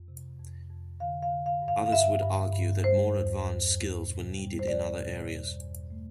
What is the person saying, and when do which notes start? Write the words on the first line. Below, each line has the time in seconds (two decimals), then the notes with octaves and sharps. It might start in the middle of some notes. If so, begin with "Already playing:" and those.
Others would argue that more advanced skills were needed in other areas.
Already playing: F2
0.08 C3
0.39 F2
0.70 F2
1.00 D3 F5
1.23 F5
1.31 D3
1.46 F5
1.62 G2
1.68 F5
1.86 F5
1.92 G2 E5
2.23 G2
2.53 G2
2.84 G3 C5
3.15 E2
3.45 E2
3.76 E2
4.06 B2
4.37 G3
4.59 C5
4.68 E2 D5
4.98 B2
5.30 E2
5.60 E2
5.90 A3